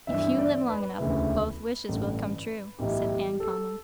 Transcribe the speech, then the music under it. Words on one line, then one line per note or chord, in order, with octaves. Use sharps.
"If you live long enough both wishes will come true," said Anne calmly.
G1 G2 E3 E5
D5
B4
E1 D2 C#3 E3
A1 G2 D3
B1 A2 E3 G4
G4
A4